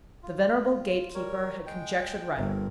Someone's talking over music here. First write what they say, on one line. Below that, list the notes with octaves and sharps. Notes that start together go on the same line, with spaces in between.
The venerable gate-keeper had conjectured right.
F4
G3 A#4 C#5
G#3 G5
G1 C4 A#4